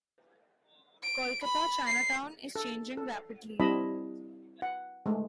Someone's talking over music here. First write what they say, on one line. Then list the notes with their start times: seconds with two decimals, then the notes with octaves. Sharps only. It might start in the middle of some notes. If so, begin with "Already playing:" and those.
Kolkata Chinatown is changing rapidly.
1.03 D7
1.44 B5
1.87 C7
2.56 A4
2.97 A4
3.60 G3 C4 E4 D#5 A5 B5
4.62 F#5
5.06 G#3 A3